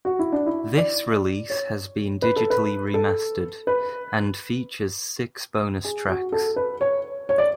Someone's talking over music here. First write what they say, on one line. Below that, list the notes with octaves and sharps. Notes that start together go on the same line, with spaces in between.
This release has been digitally remastered, and features six bonus tracks.
F#4
E4
D4
E4
D5
C#5
B4
A4
B4
A4
B4
G#4
F#4
A4
B4
C#5
C#5
D5